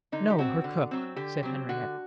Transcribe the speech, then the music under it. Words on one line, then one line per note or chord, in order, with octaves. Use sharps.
"No--her cook," said Henriette.
D3 D#4
G4
F#3 C4 F#4
D3
F#3 C4
D3 G4
F#3 C4
D3 F#4